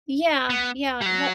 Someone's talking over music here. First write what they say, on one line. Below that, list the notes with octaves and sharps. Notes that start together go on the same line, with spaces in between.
Yeah, yeah. Well,
B3
G3
F#3